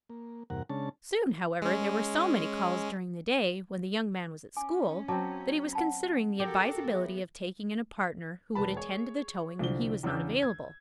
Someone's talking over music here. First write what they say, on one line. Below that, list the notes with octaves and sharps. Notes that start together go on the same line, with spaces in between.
Soon, however, there were so many calls during the day, when the young man was at school, that he was considering the advisability of taking in a partner who would attend to the towing when he was not available.
A#3
E2 G2 C3 A#4 F#5
C#3 G#3 C#4 D4 A5
G#3 C#4
C#4 G#5 D6
F#3 C4 D#5 A5 D6
F#5 A5 B5
F#4 G4 A4 A#4 D6
F3 B3 G#4 C#5 E5
E1 B4 A5 B5
G#4 C#5
C2 D3 F3 G7
E2 C#3 D4 D6 E6 G6
G#6